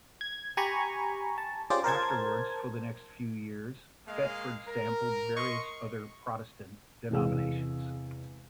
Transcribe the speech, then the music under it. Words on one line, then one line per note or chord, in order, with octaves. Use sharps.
Afterwards, for the next few years, Thetford sampled various other Protestant denominations.
G#6
G4 G#5 A#5 B5 C#6
A5
C#4 F4 G4 G#4 C5 D5
A#4 C5 A5 G#6
G#3 A#3 D#5 F5
A#4
D#5 C6 C#6
E2 C3 G#3 G#4 F5 E6